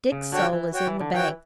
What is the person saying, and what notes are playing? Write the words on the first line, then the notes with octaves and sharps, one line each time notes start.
Dick's soul is in the bank.
C#3
D3 F#4 C#5 G5
F#3
E3
F#4 C#5 G5
E3
D3
E3 F#4 C#5 G5